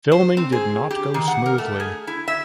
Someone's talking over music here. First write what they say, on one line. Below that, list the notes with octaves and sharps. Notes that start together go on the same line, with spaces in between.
Filming did not go smoothly.
C5
C4
G#4
G4
D#3
F#5
A#4
A3
G#4
E4
E5